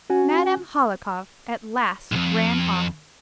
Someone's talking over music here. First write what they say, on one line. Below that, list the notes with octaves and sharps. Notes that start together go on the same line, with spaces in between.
Madame Hohlakov at last ran off.
C#4 F#4 G#5
B1 F2